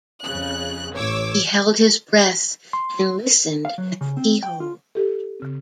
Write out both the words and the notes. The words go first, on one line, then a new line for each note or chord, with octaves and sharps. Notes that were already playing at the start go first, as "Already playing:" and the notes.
He held his breath, and listened at the key-hole.
F2 C#3 F#6
A1 C#5 D6 E6
C6
F5
F#3
C#3
C4
G5
F4
G4 A4
C#3 C4